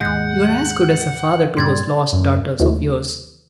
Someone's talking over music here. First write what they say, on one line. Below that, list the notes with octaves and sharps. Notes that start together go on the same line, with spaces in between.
You are as good as a father to those lost daughters of yours.
G#1 D#2 G#3 F#5 F#6 G6
G1 G2 A#2 G3 C6 G#6 A6
F#2
D#2 E3 F#3 A3